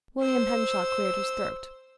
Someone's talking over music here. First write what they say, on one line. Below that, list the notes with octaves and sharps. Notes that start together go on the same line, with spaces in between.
William Henshaw cleared his throat.
C5 E6